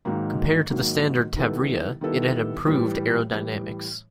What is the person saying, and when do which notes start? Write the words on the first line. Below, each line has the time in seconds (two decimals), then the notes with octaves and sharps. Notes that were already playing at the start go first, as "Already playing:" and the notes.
Compared to the standard "Tavria" it had improved aerodynamics.
0.05 G#2 D#3 F#3 A#3
0.70 G#2 D#3 F#3 A#3
1.36 D#3 G3 B3 E4 A4
2.01 D#3 G3 B3 E4 A4
2.66 A2 E3 G3
3.32 A2 E3 G3